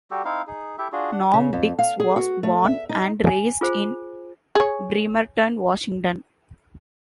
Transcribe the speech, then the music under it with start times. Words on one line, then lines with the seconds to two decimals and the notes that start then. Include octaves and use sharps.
Norm Dicks was born and raised in Bremerton, Washington.
0.11 G3 F#4 G4 A4
0.25 C4 D#4 E4 F5
0.47 D#4 G#4
0.78 E4 G4 A4 E5
0.92 D4 F4 F#4 G#4
1.11 D4 F#5
1.34 C#3
1.53 F2
1.79 F5
2.00 G#4
2.16 F#4
2.43 A3
2.65 E5
2.89 D#4
3.26 G#5
3.61 F4 G#4 C5
4.55 G#4 C#5